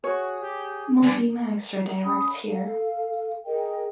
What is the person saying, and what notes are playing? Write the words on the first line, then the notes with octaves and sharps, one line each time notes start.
MovieMax redirects here.
F#4 G#4 C#5
G4
C#2 G2 D5 G#5
C#4 B5 D#6
A4 F5
G#4 A#4 D#5 G5